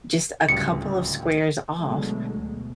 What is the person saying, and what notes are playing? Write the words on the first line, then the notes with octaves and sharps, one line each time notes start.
just a couple of squares off,
D1 C#2 G3 C#7
B2 D3 F#3 G#3 A3
D2 B2